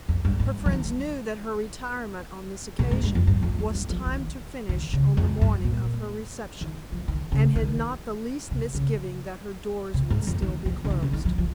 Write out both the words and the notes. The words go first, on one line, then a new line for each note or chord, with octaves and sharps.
Her friends knew that her retirement on this occasion was timed to finish on the morning of her reception and had not the least misgiving that her doors would still be closed.
F2
G2
G#2
F3
D#3
A#2
G#2
G2
F2
G2
F2
F2
G2
F3
D#3
D#3
C#3
F2
G2
A#2
D#3
F3
D#3
C#3
D#3
C3
C#3
C3
G#2
F2
D#3
F3
C#3
D#3
C#3
D#3
F3
F3